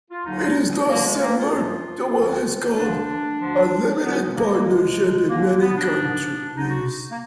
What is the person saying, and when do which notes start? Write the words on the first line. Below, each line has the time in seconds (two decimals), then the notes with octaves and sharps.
It is thus similar to what is called a limited partnership in many countries.
0.10 F4
0.26 D#2 D3 F#3 D#4
0.89 D2 D3 F3 A#3
1.05 G#3
1.20 A#3
1.36 F4
1.52 F#2 F3
2.15 D#2 D#3 F#3
2.77 D#2 D3 F3 D4
3.40 D2 D3 F3
4.03 D2 D3 F#3 B3
4.34 A#3
4.50 A#3
4.66 D2 D3 F3 G#3
5.29 D#2 D3 F#3 A#3
5.45 A#3
5.60 B3
5.76 D4
5.92 G#2 F3
6.54 D2 D3 F#3 D#4
6.70 F#4
7.11 A#3